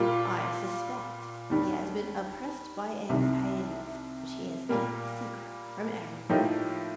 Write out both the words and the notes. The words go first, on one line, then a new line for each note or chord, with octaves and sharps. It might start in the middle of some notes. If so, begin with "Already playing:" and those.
I suspect he has been oppressed by anxieties which he has kept secret from every one.
Already playing: A#2 G3 A#3 F4
D#2 D#3 G3 D4
C2 C3 D#3
A#2 G3 A#3
A2 F3 A#3 D#4 G4